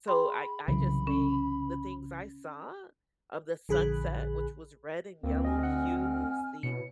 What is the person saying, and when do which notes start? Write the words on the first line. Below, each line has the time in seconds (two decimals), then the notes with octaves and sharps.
So I I just think the things I saw of the sunset, which was red and yellow hues, the
0.08 G#4 G5 B5 C6
0.68 C2 C#3 E3 F#3 B5
1.07 C#4
3.69 A#1 D3 G#4 G#5 B5 F#6
5.23 D2 A#3 C4
5.44 D#5 G#5 F6
5.59 D#5 F#5
6.63 B2 E4 B4 C#5 C#7